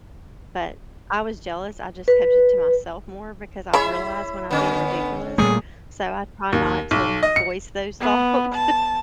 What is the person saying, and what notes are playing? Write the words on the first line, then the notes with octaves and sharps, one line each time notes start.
but I was jealous, I just kept it to myself more because I realize when I'm being ridiculous, so, I try not to voice those thoughts.
B4
G#3 E4 C#5 E5 B5
D3 B3 C#4
A#2 G3 A3 G#4
D#2
B1
D#5
C#7
B3
A5